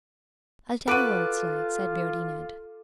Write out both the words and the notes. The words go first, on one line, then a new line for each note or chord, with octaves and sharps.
"I'll tell you what it's like," said Beardy Ned.
F4 F#4 A4 B4 D6 D7 D#7